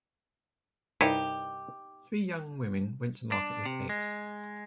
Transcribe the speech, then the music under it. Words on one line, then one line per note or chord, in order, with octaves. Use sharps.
Three young women went to market with eggs.
C2 G2 D#4 E4 G4
D4
C3
G#3